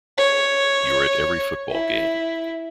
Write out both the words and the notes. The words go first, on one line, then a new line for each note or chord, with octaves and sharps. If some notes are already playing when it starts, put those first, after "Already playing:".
You're at every football game.
C#5
E4